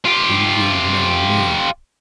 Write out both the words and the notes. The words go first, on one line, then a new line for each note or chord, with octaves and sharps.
"Do you know me?"
F4 G4